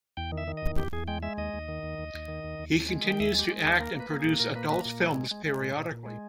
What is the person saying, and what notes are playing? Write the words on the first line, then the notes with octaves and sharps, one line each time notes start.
He continues to act and produce adult films periodically.
E2 G5
D#3
E5
D#3
E2 D#5
E2 G4
E2 G#4
G#3 G5
G#3 E5
D#2 D#5
D#2
D#3
D#2
D#2
D#2
D#3
D#2
D#2
D#2
G#3
D#3
G5
D#2 E5
G#3 G4
G#3
D#2 G#4
A#3 A#4
A#3
B4
A#3
A#2 G#4
A#2 A#4
A#3 B4
A#3 B4
A#2
G#3
G#3
G#3
G#3
A#2
A#2
A#2
G#3